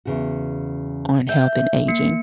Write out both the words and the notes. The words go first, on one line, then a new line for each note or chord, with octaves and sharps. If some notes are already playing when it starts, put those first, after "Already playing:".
on health and aging
E2 C#3 F#4
E5 G6
A#3 C#7